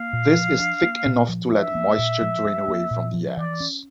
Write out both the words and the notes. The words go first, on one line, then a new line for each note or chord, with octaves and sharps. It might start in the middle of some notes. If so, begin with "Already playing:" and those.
This is thick enough to let moisture drain away from the eggs.
Already playing: A#3 F5
A#2
F3
D4
A#3
A#2
F3
D4 E5
A#3
A#2
F3
D4
A#3
A#2
F3
E3 D5
C#4